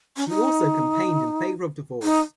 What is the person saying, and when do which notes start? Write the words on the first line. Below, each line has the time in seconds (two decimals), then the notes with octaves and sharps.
She also campaigned in favour of divorce.
0.17 C#4
0.29 D#4
2.03 D#4